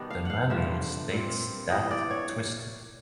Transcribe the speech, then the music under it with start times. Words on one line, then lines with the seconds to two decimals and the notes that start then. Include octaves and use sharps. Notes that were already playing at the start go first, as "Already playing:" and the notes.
The manual states that Twisted!
Already playing: B2 D#3 G3 B3 D4
0.10 F5
0.25 F5 F#5
0.50 G2 D3 F3 A#3 E5
1.11 A#2 G3 C4
1.70 G2 E3 G3 B3 D#5
1.91 D5
2.11 C#5